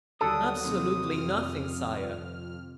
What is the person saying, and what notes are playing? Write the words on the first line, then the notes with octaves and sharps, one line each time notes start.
"Absolutely nothing, sire."
D#2 D3 F#3 G3 D4 A4 D#6
C3 D#3
F2 F6